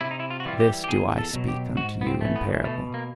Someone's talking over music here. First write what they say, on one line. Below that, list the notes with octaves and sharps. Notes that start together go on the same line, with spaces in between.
This do I speak unto you in parable.
C3 E4
D#4
E4
F4
F#4
E3 G3 F4
G4
G4
E2 G#4
A4
B2 F#3
G4
G#2 F#4
B3
C4
E3 A3
B3
B2 A3
A#3